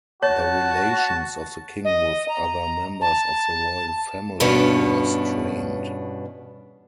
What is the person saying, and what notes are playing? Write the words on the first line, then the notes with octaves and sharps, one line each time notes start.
The relations of the king with other members of the royal family were strained.
F#4 C#5 A5
D#5
A#5
A5
E2 G2 B2 C#4 D4 B4